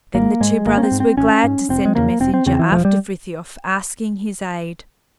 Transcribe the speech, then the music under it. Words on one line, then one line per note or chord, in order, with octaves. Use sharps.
Then the two brothers were glad to send a messenger after Frithiof, asking his aid.
G#1 A#3
G#2 G#3
G#1 A#3
C#4
C4
G#2
C4
G#1 C#4
G#2
F1 C4
G#3
E2 C#3 A#3
F1 C4
C4
E2 C#3 C4
E3
E1 F3
G3